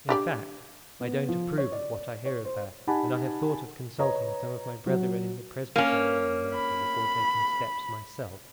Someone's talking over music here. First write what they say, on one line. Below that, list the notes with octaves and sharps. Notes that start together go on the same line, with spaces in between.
In fact I don't approve of what I hear of her, and I have thought of consulting some of my brethren in the presbytery on the matter before taking steps myself.
D4 G4 D5
B3
F3
C#5
D5
C#5
C5
D#4 G4 F#5 G#5 A5 B5
B4 C#5 D#5 A#5
F#3 F#4
A#3 C#4
B5